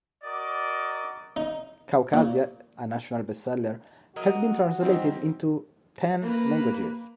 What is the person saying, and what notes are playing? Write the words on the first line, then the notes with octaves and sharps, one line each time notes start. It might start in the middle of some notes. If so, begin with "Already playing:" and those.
"Caucasia", a national bestseller, has been translated into ten languages.
F#4 A#4 D5 D#5 D6
D#4
A#2
F#3 F#4 A#4 D#5
E3 G3 C4 D#4
A#3 B4